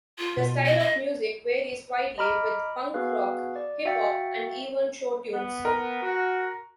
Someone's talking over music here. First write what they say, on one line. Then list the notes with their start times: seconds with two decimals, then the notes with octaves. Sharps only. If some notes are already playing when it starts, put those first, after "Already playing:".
The style of music varies widely, with punk rock, hip-hop, and even show tunes.
0.18 F4
0.37 B2
0.66 D#5
0.79 D#5
2.18 D#5 A#5 B5 D6 F6 D7
2.94 B3 F#4 G#4 B4 F5
3.56 D5
3.85 F#4 E5 F5 G5 A6 C#7
5.34 B3
5.65 A#4
6.01 F#4